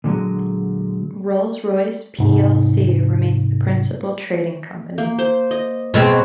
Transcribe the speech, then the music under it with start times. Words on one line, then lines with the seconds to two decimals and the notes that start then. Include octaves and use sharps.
Rolls-Royce plc remains the principal trading company.
0.04 A#2 D3 F#3 G#3
2.19 G#2 C3
4.98 A#3
5.19 C5
5.51 D#5
5.94 B2 G#3 C4 B4 C#5